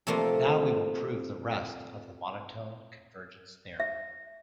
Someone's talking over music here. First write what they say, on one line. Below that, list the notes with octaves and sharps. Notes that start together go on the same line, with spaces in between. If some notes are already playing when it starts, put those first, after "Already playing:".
Now we will prove the rest of the monotone convergence theorem.
C3 F3 A3 A#3 F4
E5